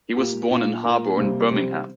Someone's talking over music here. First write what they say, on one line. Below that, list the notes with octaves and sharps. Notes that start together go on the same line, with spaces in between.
He was born in Harborne, Birmingham.
A#2 A#3 G4
A#2 A#3
A#2 A#3 A#4
C3 G3 A#3 C5
C3 G3 C4